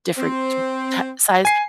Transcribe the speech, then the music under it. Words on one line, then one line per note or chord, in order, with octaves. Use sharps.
different t ta size,
C4
G#5 C7